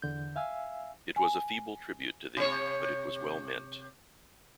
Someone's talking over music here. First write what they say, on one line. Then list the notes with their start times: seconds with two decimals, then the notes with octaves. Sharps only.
It was a feeble tribute to thee, but it was well meant.
0.02 E2 D3 G6
0.36 E5 F5 G#5 E6
1.16 G#5
2.37 C3 C#5